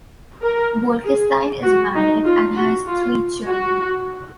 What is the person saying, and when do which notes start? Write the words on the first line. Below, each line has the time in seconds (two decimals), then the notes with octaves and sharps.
Bolkestein is married and has three children.
0.43 A#4
1.04 G#4
1.64 F#4
1.95 D#4
2.25 F4
2.56 F#4
2.86 F4
3.47 F#4